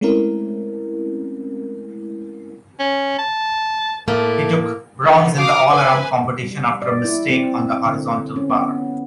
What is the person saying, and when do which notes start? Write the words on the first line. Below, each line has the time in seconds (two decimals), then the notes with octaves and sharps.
He took bronze in the All-Around competition after a mistake on the horizontal bar.
0.01 G#3 A3 C4 C#4 E4 A#4
2.80 C#4
3.19 A5
4.08 A2 A3 A#3
5.04 D3 D#3 F3 B3 D#4
5.36 F#4 F5 D6 D#6
5.69 B4 C5 G#5
6.43 G3
6.82 D5
7.05 E4
7.30 C4
7.86 D3
8.36 C#4
8.50 B3